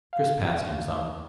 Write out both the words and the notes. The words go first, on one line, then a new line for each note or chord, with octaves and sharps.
Chris passed him some.
F5